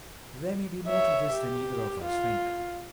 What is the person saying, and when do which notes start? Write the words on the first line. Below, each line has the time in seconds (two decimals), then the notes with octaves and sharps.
There may be more to this than either of us think.
0.87 C#5 E5
1.33 G4
2.05 F4